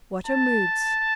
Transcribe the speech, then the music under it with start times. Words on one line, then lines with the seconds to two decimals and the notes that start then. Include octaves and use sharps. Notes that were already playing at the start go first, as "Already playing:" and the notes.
What are moods?
0.27 A5